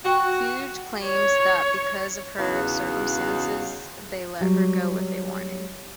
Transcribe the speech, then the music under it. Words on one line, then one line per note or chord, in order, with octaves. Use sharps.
Hughes claims that, because of her circumstances, they let her go with a warning.
F#4 G5 C#6 F#6
C#5
E2 C#3 D#4 F#4 F5
F#3 G3